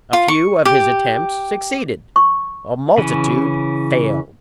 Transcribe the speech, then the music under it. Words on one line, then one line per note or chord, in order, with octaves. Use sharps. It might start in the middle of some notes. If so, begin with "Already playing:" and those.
A few of his attempts succeeded--a multitude failed.
F4
C#6
G4
C#6
C#3 E3 C#4